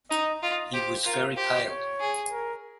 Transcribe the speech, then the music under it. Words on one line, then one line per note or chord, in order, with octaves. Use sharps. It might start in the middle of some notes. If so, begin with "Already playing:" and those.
He was very pale.
D#4 D#5
F4 D#5
G4 C5
F4 A#4
G4 C5
C#5
G#4
A#4